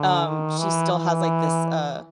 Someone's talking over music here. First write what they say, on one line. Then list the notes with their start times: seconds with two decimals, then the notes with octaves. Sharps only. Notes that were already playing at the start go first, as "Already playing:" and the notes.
um, she still has, like, this, uh,
Already playing: D3
0.26 D#3
0.59 E3
0.92 E3